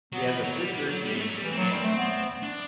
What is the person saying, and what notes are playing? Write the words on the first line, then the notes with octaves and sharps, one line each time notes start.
He has a sister named Anne.
F#3 B3
E3
F#3
G3
G3
F#3
G3
B3
A3
F#3
G3
E3
C4
F#3 D4
G3 C4
A3
B3
D4